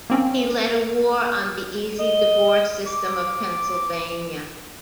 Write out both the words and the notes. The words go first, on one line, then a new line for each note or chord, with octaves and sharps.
He led a war on the easy divorce system of Pennsylvania.
A#3 C4 C#4
D#5
D6